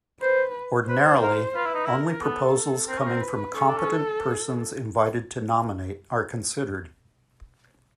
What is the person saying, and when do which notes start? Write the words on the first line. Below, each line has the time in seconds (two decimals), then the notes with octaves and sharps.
Ordinarily, only proposals coming from competent persons invited to nominate are considered.
0.22 B4 C5
0.88 B4 C5
1.22 A#4
1.55 F4 B4
1.65 E4
1.74 D#4
1.85 E4 A#4
2.22 B3 A4
2.88 C4 A#4
2.98 C#4
3.06 C4
3.21 B4
3.54 C#4 A4
3.66 D4
3.77 C#4